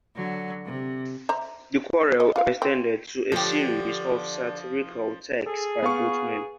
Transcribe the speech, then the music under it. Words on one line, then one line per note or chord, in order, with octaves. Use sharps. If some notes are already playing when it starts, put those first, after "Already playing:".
The quarrel extended to a series of satirical texts by both men.
D3 F#3
C3
C5 E5 A#5
D#5
F4 F5
C4
D3 F3 G4
G#4 A4
B3 F5 C#6